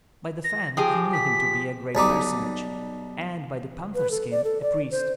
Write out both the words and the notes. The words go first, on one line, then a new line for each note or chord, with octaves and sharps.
By the fan he knew him to be a great personage, and by the panther skin, a priest.
A#6
F3 G4 G#4 G5
B6
B1 G3 D#4 D6
B4
A4
D5
A4
D5
C5